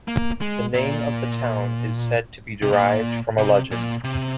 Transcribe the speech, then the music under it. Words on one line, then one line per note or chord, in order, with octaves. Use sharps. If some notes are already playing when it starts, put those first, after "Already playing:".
The name of the town is said to be derived from a legend.
A#3
G#3
A#2
C3
A#2
C3
A#2
C3